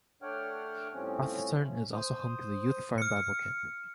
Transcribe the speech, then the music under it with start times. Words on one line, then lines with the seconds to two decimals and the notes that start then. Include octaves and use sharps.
Rosthern is also home to the Youth Farm Bible Camp.
0.22 A3 D4 C#5 F#5 G5 F6
0.94 A2 F3 G3 C4 C#4
1.63 C#4
1.93 C5 D#6
2.98 F6 C#7